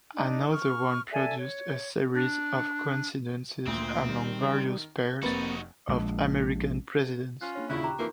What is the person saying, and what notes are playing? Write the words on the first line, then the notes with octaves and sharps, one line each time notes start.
Another one produced a series of coincidences among various pairs of American presidents.
D4 D#4
C#6 F6
A4 D5 E5 G#5
C#5
D4
D2 A#2 C4
D#3 G3
G6 G#6
F1 A#3 C4 D#4 F#4 B4 D#5 A6
A#1 G#3
C#4 F4 F#6
A#3 D4 C#5
D#2 A#2 C#3 E4 C#6 F#6
G4 A#5
F2 E3 A#3 D#4 F4 A#4